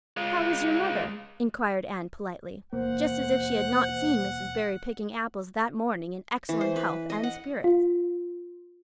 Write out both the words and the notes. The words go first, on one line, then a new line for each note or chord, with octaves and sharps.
"How is your mother?" inquired Anne politely, just as if she had not seen Mrs. Barry picking apples that morning in excellent health and spirits.
G#3 F4
E1 D#2 A#3 C5 F#5
E3
C5
B4
D#5
F#5
F4